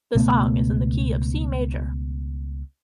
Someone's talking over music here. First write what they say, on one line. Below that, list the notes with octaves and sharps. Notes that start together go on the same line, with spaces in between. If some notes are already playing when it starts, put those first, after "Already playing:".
The song is in the key of C major.
C#2 B2 A3 B3